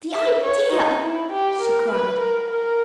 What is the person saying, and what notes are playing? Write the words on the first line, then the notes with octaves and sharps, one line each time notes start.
"The idea!" she cried.
E5
C#5
D#4
E4
G4
A#4
B4
A#4
A#4